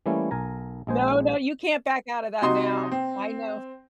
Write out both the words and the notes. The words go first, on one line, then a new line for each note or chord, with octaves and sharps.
No, no, you can't back out of that now. I know f
E3 G3 A3 A#3 C#4 E4
B1 A#4 G#5 A#5
A#1 G#3 G#4 C5
C3 D#4 F#4 C6 D#6
C4